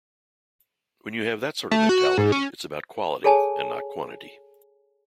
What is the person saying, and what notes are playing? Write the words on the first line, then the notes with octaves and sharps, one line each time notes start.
When you have that sort of mentality, it's about quality and not quantity.
A3
F#4
G#2
C#4
G#4 A4 C#5 G#5 A5